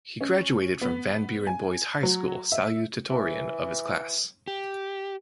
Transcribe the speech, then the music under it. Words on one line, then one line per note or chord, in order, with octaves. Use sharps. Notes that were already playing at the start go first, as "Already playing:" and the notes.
He graduated from Van Buren Boys High School salutatorian of his class.
C#4
B3
G#5
F#3
E5
E3
G4